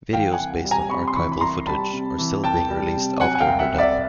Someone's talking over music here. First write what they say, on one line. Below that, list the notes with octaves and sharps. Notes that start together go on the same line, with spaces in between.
Videos based on archival footage are still being released after her death.
E3 F5 G5
F#5 G#5
C2
G3
G#5 A#5
C3 B5 C#6
C6
E3 B5 C#6
B5
C2 A#5 C6
G3 A5 B5
C3
E3
C2 G5 A5
G3
C3
F#3 F#5 G#5
G#5
F5 G5
C2
E5 F#5
C2
D5 E5